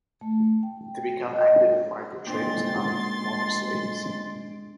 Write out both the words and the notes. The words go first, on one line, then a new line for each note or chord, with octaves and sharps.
To become active in market trade was common for former slaves.
A3
G5
D#5
A#2 G#3 C4 D4 G5 C6 A6